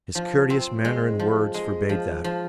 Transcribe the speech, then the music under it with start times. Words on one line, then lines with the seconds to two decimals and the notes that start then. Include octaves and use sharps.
His courteous manner and words forbade that.
0.15 F3
0.50 C4
0.85 G#3
1.19 F3
1.54 G#3
1.89 F3
2.24 F3